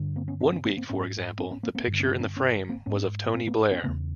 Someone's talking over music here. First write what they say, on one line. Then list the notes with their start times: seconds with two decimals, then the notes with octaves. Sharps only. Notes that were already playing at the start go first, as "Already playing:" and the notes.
One week, for example, the picture in the frame was of Tony Blair.
Already playing: G2 D3
0.16 A#3 C4
0.28 B3 C#4
0.40 C4 D4
0.52 B3 C#4
0.65 A#3 C4
0.77 A#3 C4
0.89 G#2 B3 C#4
1.39 C4 D4
1.51 B3 C#4
1.63 A#3 C4
1.75 A#3 C4
1.87 G2 D3
2.00 C4
2.04 B3 C#4
2.20 C4 D4
2.37 B3 C#4
2.69 A#3 C4
2.86 G#2 B3 C#4
3.26 B3
3.34 A#3 C4
3.47 A3 B3
3.72 B3 C#4
3.84 C#3 A3 B3
3.88 E2